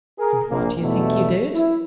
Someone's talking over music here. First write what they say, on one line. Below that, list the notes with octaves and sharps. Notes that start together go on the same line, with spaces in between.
And what do you think he did?
G#4 A#4
A#1 A#3
E2 G2 B2 F3 A3 E4
E4